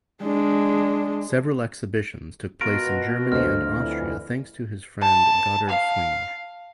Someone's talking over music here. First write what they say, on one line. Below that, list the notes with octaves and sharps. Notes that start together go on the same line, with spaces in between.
Several exhibitions took place in Germany and Austria thanks to his friend Gotthard Schwinge.
G#3 D4
B2 F4 F#4 A#4 D7
D2 C5 D#5 F6
F2 D3 E3
A5
F5